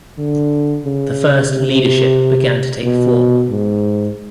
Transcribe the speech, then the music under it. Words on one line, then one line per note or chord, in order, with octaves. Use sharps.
The first leadership began to take form.
D3
C#3
C3
B2
G#2